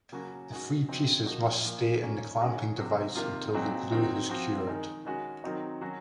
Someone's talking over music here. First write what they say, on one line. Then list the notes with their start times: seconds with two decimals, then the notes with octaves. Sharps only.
The three pieces must stay in the clamping device until the glue has cured.
0.12 C#3 F#3 A#3 C#4 F#4
0.51 D#3 G#3 C#4 F#4
0.89 F3 C4 D#4 F#4
1.26 F3 A#3 D#4 F#4
1.64 A#2 F3 A#3
2.03 D#3 A#3 C#4
2.40 D#3 G#3 C#4 F#4
2.77 C3 F#3 C4 F#4
3.15 C3 D#3 A#3 F4
3.54 A#2 F#3 C4 D#4 F#4
3.91 D#3 F#3 C4 D#4 F#4
4.29 F3 C4 F#4
4.67 D#3 G#3 D#4
5.05 D#3 G#3 C#4 F#4
5.44 D#3 F#3 C4 D#4 F#4
5.81 D#3 F#3 C#4 F#4